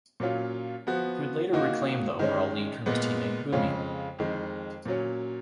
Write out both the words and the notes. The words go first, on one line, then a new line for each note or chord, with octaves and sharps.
He would later reclaim the overall lead from his teammate Buemi.
A#2 F#3 C#4 F4
F3 B3 F#4
D#3 A#3 D#4 F#4
D#3 G#3 C#4
A#2 G#3 B3
F2 C#3 G#3 C#4 F4
F2 D#3 G#3
A#2 F#3 C#4